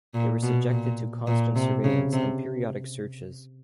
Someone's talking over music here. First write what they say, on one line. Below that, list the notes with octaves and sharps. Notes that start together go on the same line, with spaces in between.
They were subjected to constant surveillance and periodic searches.
A#2
B2
A#2
A#2
C3
C#3
C3